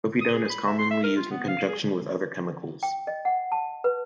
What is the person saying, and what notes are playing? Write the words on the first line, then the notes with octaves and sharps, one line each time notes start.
Povidone is commonly used in conjunction with other chemicals.
D#6
G#4
B5
E5
C6
E5
A#4
F4
B3
F5
G#4
G5
D#5
F#5
A5
B4